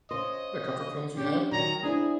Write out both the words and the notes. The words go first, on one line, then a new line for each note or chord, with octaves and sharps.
the comfort films we had.
C#3 C5 D#5
C#4 D4 G4
D#3 F#3 A#5
C4 D4 E4 G#4